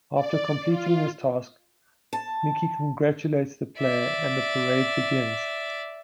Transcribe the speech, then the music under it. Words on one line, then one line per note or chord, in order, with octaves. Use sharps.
After completing this task, Mickey congratulates the player and the parade begins.
D5
F4
A5
D5 E5